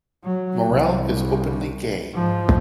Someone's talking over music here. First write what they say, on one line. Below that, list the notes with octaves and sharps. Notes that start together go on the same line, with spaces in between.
Morel is openly gay.
F#3
C2
G#2 F3